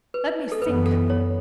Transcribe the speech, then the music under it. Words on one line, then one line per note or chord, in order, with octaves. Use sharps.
"Let me think."
B4
A4
F#2 E3 B3 B4
A4
C#5